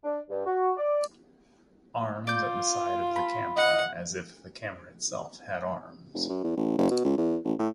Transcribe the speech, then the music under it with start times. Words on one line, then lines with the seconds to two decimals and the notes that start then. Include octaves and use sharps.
Arms at the side of the camera as if the camera itself had arms.
0.04 D4
0.29 G2
0.46 F#4
0.77 D5
2.27 F4 D5 G6
3.16 B5
3.56 D#5 F#5
6.14 F1
6.29 F#2
6.44 E2
6.57 A1
6.78 F#1
6.91 B2
7.04 C#2
7.18 E2
7.45 A1
7.59 A2